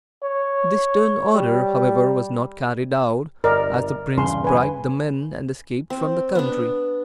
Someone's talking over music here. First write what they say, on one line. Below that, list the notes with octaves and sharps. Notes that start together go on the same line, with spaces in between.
This stern order, however, was not carried out, as the prince bribed the men and escaped from the country.
C#5
G3
G1 A#4 D5 D#5
E2 G2 C#3 C6
B4 G#5
C4
B3 D4